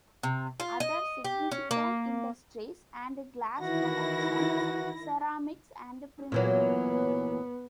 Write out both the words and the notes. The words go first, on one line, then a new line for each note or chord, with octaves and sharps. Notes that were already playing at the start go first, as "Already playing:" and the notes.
Other significant industries are glass production, ceramics and printing.
C3
F4
D#5
G4
C#4
A#3
D#3 E3 E4 F#4 F#5 A#6
A#2 E3 F#3 B3